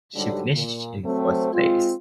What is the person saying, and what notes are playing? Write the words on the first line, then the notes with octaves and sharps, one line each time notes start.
She finished in fourth place.
G#2 D3 F#3 G3
A#2
F#3 A3 C4
G#3 C4 F4